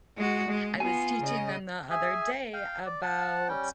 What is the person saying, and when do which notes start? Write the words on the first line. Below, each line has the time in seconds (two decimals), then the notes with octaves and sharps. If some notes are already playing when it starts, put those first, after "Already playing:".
I was teaching them the other day about
0.17 G#3 F#4
0.48 G#3
0.80 B3 F4 G#5
1.22 C#3 D#5
1.91 G#4 E5 G#5
2.53 F5 G5
2.86 D5
3.03 F#5 A5
3.48 G3 C#4 G5